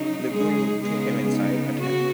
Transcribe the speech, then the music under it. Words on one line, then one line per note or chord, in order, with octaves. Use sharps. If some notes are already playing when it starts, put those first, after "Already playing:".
The Guru took him inside a tent.
Already playing: C#3 F#3 D#4
G#3 G#4
C#3 G#3 B3 D#4 G#4
D#4
F#4